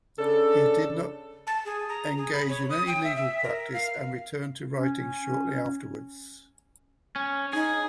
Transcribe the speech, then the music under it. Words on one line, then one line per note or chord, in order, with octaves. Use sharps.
He did not engage in any legal practice and returned to writing shortly afterwards.
C#3 D4 A4
A5
G#4
A#5
G#4
B5
C#5
D#6
G5
E5
E5
A#4
F5
C#4
C#4
D#4 G#4